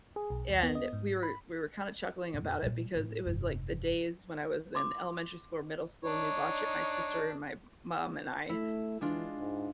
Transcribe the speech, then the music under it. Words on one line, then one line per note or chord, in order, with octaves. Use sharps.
and we were we were kinda chuckling about it because it was like the days when I was in elementary school or middle school and we'd watch it, my sister and my mom and I,
G#4
B1
D#2
B3
D#5
G#2
B5
F2 A#2
A#2 G3
A2 C4
F1 G2
C6 D6
D4 D#4 C#5
A3 E4
E3 G#3 D4 F4
G#2